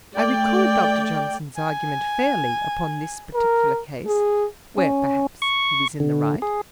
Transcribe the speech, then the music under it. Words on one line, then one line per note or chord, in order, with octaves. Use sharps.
I record Dr. Johnson's argument fairly upon this particular case; where, perhaps, he was in the right.
A3 D5 G5
G#5
A#4
G#4
C#4
C#6
D3
G#4